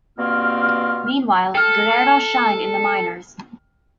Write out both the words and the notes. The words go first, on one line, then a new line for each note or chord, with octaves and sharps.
Meanwhile, Guerrero shined in the minors.
G2 B2 A#3 C4 F4 F6
A4 G5 F6